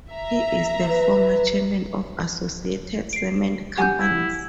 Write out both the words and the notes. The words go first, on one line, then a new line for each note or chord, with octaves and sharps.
He is the former chairman of Associated Cement Companies.
E5 A#5
B4
C7 D7
G4 F#5 G#5 G6
E4